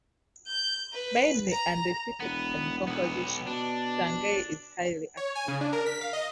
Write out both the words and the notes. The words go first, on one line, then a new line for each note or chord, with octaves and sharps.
Mainly andesitic in composition, Sangay is highly active.
G6
B4
A#5
E1 B3
B1 B3
B2 D4
C#5
G#5
C#3
D4
A#4
B6
F5
D#5